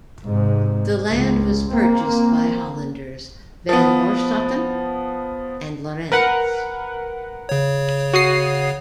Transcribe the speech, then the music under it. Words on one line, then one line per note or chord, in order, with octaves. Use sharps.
The land was purchased by Hollanders, Van Boeschoten and Lorentz.
G#2 C3
C#2
A#3 C4
F3 B3
A#4 B4 F#5
C#3 C#5
F#4 D#6 C7